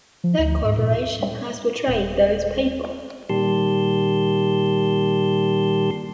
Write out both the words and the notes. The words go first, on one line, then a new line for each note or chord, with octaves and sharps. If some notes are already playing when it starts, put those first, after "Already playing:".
That corporation has betrayed those people.
F3
D2
G#2
A#2
D#1
A#2 D#3 G3 G4 A5 C6